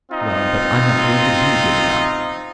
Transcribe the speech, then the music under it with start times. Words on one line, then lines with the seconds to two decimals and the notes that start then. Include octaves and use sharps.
"Well, but I'm not going to be given up."
0.11 C4 D#4 F4